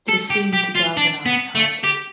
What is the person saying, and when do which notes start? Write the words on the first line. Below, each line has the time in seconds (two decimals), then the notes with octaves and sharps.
This seemed to galvanise Hartlepool.
0.09 A4
0.30 G4
0.53 G4
0.75 F4
0.97 D4
1.26 B3
1.55 A3
1.83 G4